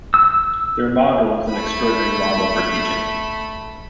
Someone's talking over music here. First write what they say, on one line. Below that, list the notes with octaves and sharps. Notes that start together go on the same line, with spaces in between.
Their model is an extraordinary model for teaching.
E6
A3 B5